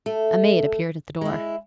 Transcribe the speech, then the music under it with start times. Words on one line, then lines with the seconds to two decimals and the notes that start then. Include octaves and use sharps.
A maid appeared at the door.
0.06 A3 A4
1.21 G#3 E4